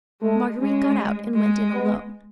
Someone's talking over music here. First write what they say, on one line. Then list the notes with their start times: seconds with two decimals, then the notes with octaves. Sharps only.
Marguerite got out and went in alone.
0.22 G#3 A3
0.59 G#3 C#4
1.35 G#3
1.73 B3